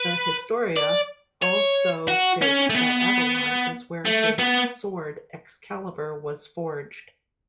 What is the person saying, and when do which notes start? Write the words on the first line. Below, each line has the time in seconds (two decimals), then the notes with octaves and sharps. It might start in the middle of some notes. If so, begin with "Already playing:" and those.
The "Historia" also states that Avalon is where his sword Excalibur was forged.
Already playing: B4
0.76 D5
1.42 C#5
2.08 F#4
2.42 C#4
2.70 A3
2.74 B3
4.06 A3
4.39 B3